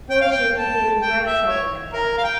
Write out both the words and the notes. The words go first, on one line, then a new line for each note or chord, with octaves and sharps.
Poor Jupe had been in great trouble that day.
G5
F5
G5
A5
G5
E5
C#5
A#4
F5
G5